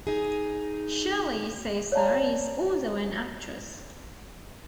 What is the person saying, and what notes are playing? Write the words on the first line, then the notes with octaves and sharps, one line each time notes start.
Shirley Caesar is also an actress.
D#4 G#4
C#5 D5 F5 A5 A#5